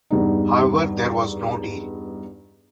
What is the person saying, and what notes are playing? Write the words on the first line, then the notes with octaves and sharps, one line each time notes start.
However, there was no deal.
E2 G2 D#4